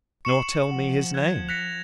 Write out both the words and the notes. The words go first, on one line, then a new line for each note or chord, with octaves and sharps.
"Nor tell me his name."
C#6 C7 C#7 E7 F#7
F3 F#5
F#6 G#6
F#6 A#6 B6 C#7 F7